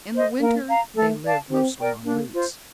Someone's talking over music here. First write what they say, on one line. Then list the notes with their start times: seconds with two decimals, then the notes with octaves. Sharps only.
In the winter they live mostly on roots.
0.14 C5 D#5
0.40 A#3 A#4
0.69 F5 A#5
0.95 A3 A4
1.23 D5 F5 A5
1.50 C4 G4
1.78 A#4 D5 G5
2.05 A#3 D4
2.33 F4 C5